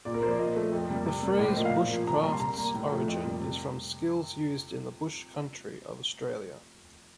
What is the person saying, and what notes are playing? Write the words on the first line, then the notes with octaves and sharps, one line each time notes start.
The phrase bushcraft's origin is from skills used in the bush country of Australia.
A#2 D5
A#4
F3 A#3 C5
D5
A#2 D#5
F3 A3
F2
C3 G3 A#3
C3
G3 A#3
A2 D5
C5
F3 A#3 D#5
F5
A#2
F3 A#3
C3 A#5
A5
G3 A#3 A#5
C6
C3 A#5
G3 A#3
A2
F3 A3
F2
C3 G3 A#3
C3